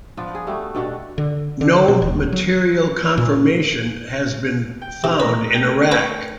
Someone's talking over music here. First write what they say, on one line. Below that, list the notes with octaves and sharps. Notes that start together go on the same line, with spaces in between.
No material confirmation has been found in Iraq.
F3 B3 D4 F4
G#4
G3 A3 F#4
G2 B2 D4 F#4
D3
D3
B2
D#1
F#3
A#2
G5
C3 D#4
A3 A#4 B4 A#5
G5 F#6
B4 C#5 G5 A#5